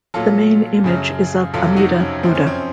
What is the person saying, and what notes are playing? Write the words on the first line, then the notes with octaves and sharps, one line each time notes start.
The main image is of Amida Buddha.
A#2 F#3 F4 A4
F#2 C#3 F#3
F2 C3 F#3 F4 A4
D#4 F#4
C#4
F#2 F3 C4
C#4
C4